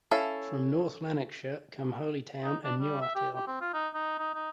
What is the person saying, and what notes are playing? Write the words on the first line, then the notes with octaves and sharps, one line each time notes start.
From North Lanarkshire come Holytown and Newarthill.
C#4 E4 A4 F5
D#4
D4
G3
E5
G4
G4
C4
F4
D#4
D#4
D#4
D#4